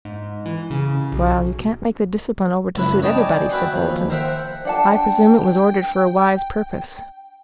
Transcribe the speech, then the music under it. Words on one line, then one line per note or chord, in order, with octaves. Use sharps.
"Well, you can't make the discipline over to suit everybody," said Bolton. "I presume it was ordered for a wise purpose."
G#2
E3
C#3
B1
C#2 F#2 E4 B4
C#5 D#5 G5 A5 A#5
D5 G5 G#5
F#4 B4 E5 G5
D#2 F3
A#4 C5 E5 F#5 G5
D4 F#5 G5 A5